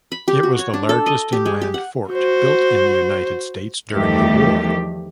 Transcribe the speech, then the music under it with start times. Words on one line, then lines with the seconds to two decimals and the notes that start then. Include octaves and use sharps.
It was the largest inland fort built in the United States during the war.
0.12 B5
0.28 G4
0.43 F#4
0.59 C#5
0.74 D4
0.89 A4
1.06 D#5
1.33 G4
1.46 G#3
1.61 G4
1.74 F#5
2.10 F#4 C5
3.91 E2 D#3 F3 G3 A3 G4